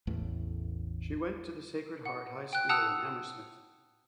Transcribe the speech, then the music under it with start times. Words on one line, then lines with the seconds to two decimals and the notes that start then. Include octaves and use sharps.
She went to the Sacred Heart High School in Hammersmith.
0.07 A1 E2 A2 A3
2.05 F#5
2.53 G5 F#6
2.69 F#5 A5 D#6 E6 F#6 F7